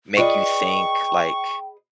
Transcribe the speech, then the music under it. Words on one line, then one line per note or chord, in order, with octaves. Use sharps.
make you think, like,
F4 G#4 B4 D5 D#5 G5 C#6